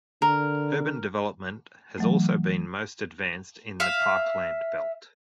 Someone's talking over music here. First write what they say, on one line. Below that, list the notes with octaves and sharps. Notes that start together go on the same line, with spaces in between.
Urban development has also been most advanced in the parkland belt.
D3 A#4
E3 F#3 A3
E5 F5